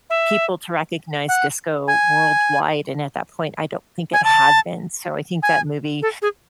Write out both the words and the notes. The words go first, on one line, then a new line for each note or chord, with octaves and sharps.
people to recognize disco worldwide, and at that point, I don't think it had been, so, I think that movie
E5
F#5
G#5
G#5
A5
G#5
A4
G#4